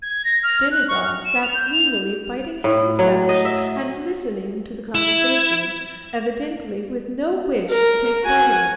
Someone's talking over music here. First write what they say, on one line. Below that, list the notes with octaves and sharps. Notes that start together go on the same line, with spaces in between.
Denisov sat gloomily biting his mustache and listening to the conversation, evidently with no wish to take part in it.
G#6
A#6
F6
F#6
C#6
F6
E7
F7
G6
F7
A2
F#3
D#5
E5
E4
A#4
F#4 G#5